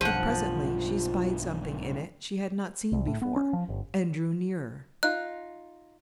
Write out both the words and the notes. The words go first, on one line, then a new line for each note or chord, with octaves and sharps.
But presently she spied something in it she had not seen before, and drew nearer.
B1 G2 F3 F#5
C2
A2
B3
C#4
F3
G1
D#4 F4 F#6